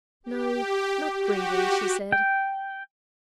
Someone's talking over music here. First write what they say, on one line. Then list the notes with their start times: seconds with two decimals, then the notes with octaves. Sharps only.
"No, not grieving," she said.
0.24 G4
1.18 F#4 G4
2.12 G5